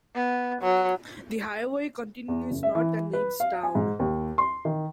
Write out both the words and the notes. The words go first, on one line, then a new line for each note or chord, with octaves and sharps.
The highway continues north and leaves town.
B3
F#3
E2
F#1
E5
E3
B4
F5
G#5
G#2
D#2
C6
D#3